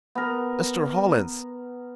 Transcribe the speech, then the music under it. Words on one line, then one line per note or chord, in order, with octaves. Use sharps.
"Mr. Hollins!"
B3 A#4